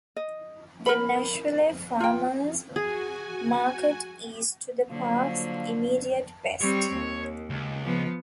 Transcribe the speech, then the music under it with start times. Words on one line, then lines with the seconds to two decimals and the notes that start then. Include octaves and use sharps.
The Nashville Farmers' Market is to the park's immediate west.
0.16 D#5
0.86 A#4 B5
2.00 F4 G5
2.76 F#4 G#4 G#5
4.89 D3 F3 F#3 A#3
6.61 G3 C4 C#5
6.93 D#2
7.50 C#2
7.84 F3 B3